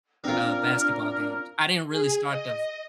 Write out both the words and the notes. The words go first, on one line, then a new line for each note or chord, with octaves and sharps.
and, uh, basketball games, I didn't really start to v
C4 D4 F4 A#4 F6
G#4
D#5